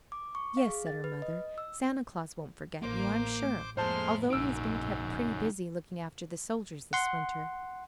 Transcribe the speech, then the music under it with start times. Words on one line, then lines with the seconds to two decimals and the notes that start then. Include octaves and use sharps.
"Yes," said her mother, "Santa Claus won't forget you, I am sure, although he has been kept pretty busy looking after the soldiers this winter."
0.12 D6
0.35 C#6
0.57 F5
0.69 G#4
0.87 A6
1.04 B4
1.22 D#5
1.58 E6
2.82 A1 A2 A#3 C5 D6
3.77 F2 A2 G#3 A#3 C5 A5 C6 F6
4.30 A#1 F#2 C#3 D#4 E6 D7
6.93 F#5 C6